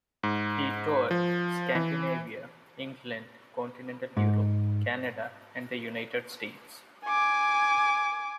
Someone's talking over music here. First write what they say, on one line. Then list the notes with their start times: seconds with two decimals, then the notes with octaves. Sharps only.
He toured Scandinavia, England, continental Europe, Canada, and the United States.
0.23 G#2
1.11 F3
1.75 E3
4.17 G#2
7.05 G#5 D6